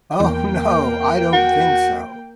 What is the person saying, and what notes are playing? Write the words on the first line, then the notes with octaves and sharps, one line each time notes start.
Oh, no, I don't think so!
E2 A#3 G5
F#4